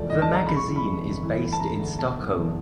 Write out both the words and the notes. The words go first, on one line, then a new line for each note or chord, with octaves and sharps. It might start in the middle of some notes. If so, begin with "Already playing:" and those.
The magazine is based in Stockholm.
Already playing: E1 F3 A3 D5
A2 D#5
A5
B1
A#5
C#3 B5
C#6
E3
B5
F2
G1
E3
D2
A5
C#3 A#5
D2
B2 A5
F#1
E2